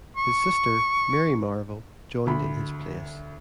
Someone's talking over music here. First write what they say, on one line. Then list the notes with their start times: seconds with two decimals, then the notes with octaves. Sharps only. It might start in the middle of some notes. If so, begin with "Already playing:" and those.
His sister, Mary Marvel, joined in his place.
0.17 C#6
2.27 D2 B5